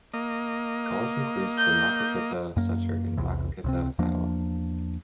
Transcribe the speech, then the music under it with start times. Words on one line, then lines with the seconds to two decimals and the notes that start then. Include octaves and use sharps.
The college includes the Maquoketa Center in Maquoketa, Iowa.
0.14 A#3 D#5
1.57 G6
2.56 F#2 A#3
3.17 B1 E2 C3
3.64 C#2 C3 C4
3.99 E2 F3 A#3 D4